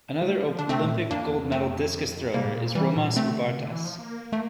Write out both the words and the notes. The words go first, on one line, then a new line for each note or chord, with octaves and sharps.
Another Olympic gold-medal discus thrower is Romas Ubartas.
G3
A3
G3
F3
D3 D4
C3 A3 C4
A#2
A2
F2 A#3 D4
E2
E2
F2 A3 C4
C3 G3 A#3
A2
A#2
E3 G3
A#2
A#2
C3 A3 C4
D3
C3
D3
E3
F3
A#3
A3